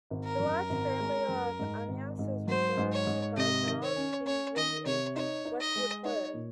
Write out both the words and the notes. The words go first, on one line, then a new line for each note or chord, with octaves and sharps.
The large family of Amyas is referred to by Charles Kingsley in Westward Ho!
G#1
A#4
F#2
G#1
G#3
F#2
G#2
G#1
G#2
F#3 C5
G#2
C#5
G#2
C3 D#5
D#3
C#5
C#4
C#4 C#5
D#3 D#5
C3 C#5
D#4 C#5
D#4
D#5
G#3
D#4 C#5
A#2